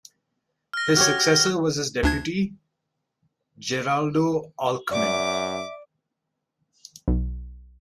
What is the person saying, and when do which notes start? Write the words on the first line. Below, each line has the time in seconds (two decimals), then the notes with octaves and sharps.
His successor was his deputy, Geraldo Alckmin.
0.73 F6 A#6
0.96 F#4 G4 C#5 F6
2.03 D2 D4 G#6
4.91 F#2 D5 E5 D6
7.08 B1